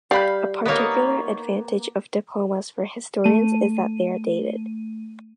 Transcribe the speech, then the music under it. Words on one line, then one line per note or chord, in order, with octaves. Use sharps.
A particular advantage of diplomas for historians is that they are dated.
G3 F5 B5 G6
A#3 B3 D#4 A#4 C#5
A3 D#7